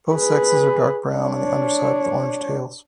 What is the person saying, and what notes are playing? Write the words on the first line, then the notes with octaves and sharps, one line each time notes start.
Both sexes are dark brown on the upperside with orange tails.
G#4 B4
D4 C#5